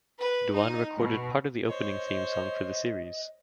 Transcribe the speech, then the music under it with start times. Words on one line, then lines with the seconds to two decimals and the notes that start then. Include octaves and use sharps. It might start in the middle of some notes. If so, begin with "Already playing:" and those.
Duan recorded part of the opening theme song for the series.
0.19 B4
0.54 D#4
0.97 B2
1.67 C5 C#5 D#5